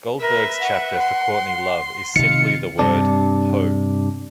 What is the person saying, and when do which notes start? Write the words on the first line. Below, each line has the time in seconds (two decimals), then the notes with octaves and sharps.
Goldberg's chapter for Courtney Love is simply the word "ho".
0.20 A#4 B4 E5
0.61 F#5
1.00 C6
2.16 C3 D#3 F4 F5 C#7
2.79 G2 C3 D4